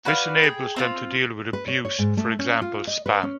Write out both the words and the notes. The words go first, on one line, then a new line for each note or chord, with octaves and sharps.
This enables them to deal with abuse, for example spam.
F#4 B4 D5 F5
G#4 G5
C4 D#4 F4
B4
C#5
C#5
G#2
A3
C#4
F4
D#5
B4
C#4